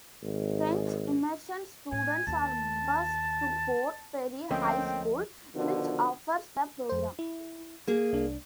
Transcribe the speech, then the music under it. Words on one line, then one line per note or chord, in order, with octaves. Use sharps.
French Immersion students are bused to Port Perry High School, which offers the program.
G#1
A2 G#5
D#2 A5
D2 F3 A3 A#3 C4 C#4 D#5 G5
B2 D3 D#3 F3
F2 C5
E4
A#3 G#4
C2 D4